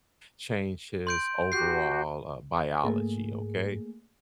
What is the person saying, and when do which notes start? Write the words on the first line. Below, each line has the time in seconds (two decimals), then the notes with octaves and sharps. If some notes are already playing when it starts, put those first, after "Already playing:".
change his overall, uh, biology, okay?
1.07 C6 G6 D7
1.52 F#4 G4 G6 C7
2.84 G#2 A3 A#3 G#4